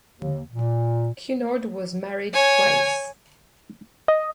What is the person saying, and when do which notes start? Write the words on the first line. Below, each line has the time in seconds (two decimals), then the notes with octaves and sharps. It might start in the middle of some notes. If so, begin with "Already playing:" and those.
Cunard was married twice.
0.15 D#2
0.50 A#2
2.34 C#5 G#5
4.08 D#5